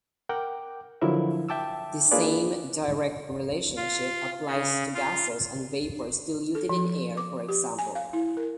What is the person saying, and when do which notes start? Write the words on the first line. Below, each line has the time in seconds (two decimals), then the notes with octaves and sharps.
The same direct relationship applies to gases and vapors diluted in air for example.
0.29 A#4 F#5 G5 D6
1.02 D3 F3 F#3 E4 A#4 E5
1.49 E5 G5 A5 D6 E6
2.11 A#3 D4 F4 G#4 B4 D5
3.77 F4
4.47 C#3
4.95 F4
6.55 A4
6.69 F3
7.17 D6
7.49 G4
7.79 G#5
7.95 F5
8.13 E4
8.37 A#4